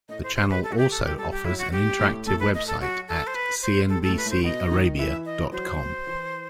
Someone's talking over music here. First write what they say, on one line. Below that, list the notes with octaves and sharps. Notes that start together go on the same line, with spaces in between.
The channel also offers an interactive website at cnbcarabia dot com.
A2 A3 D#5
C5
G3 C5
B4
A4
F#4
G4
A4
G4
G3 A4
G4
F#3 E4
F#4
G3 G4
A2 A3
A2 A3 A4
B4
D#5
A4
F#3 F#4
A4
C5
B4
C5
G3 A4
A4
A2 A3
B4
A2 A3 C5
B2 B3 D#5
D#3 D#4
E3 E4 E5
D#5
F#3 F#4 C5
E3 E4